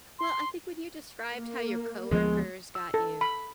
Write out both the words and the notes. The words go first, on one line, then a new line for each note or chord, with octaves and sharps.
Well, I think when you described how your coworkers got you,
C6
A#3
D2 F3 G#3 B3
E6
A4
B5